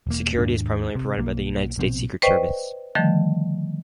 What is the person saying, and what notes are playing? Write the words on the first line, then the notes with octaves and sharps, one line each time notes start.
Security is primarily provided by the United States Secret Service.
E1 A#3
D#2 G#2 D4
C3
B1 A#3
A#1 B2 C4
B4 C5 D5 D#5 G5 C#6
D3 D#3 F3 G3 A3